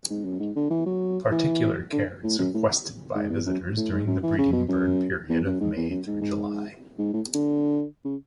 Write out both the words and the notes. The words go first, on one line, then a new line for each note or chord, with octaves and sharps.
Particular care is requested by visitors during the breeding bird period of May-July.
G#2
F#2
G#2
D3
E3
F#3
E3
D3
A2
F#2
A2
G#2
E2
F#2
A2
G#2
F#2
E3
C#3
B2
F#2
E2
F#2
G#2
E2
F#2
G#2
G#2
G#2
A2
D3
C#3